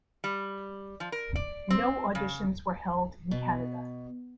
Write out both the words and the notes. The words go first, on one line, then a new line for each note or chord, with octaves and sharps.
No auditions were held in Canada.
G3
F3
A#4
D5
C4
C#3
B2